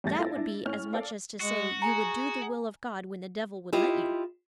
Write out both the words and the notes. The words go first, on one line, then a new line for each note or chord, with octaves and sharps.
That would be as much as to say you would do the will of God when the devil would let you.
E2 G3 A3 A6 A#6
E4 F4 A4
D4 E4
A2 C#4 F6
A4 D5 F5
G#3 F#4
G#4 G#5 A#5
E4 F4 G4 D#5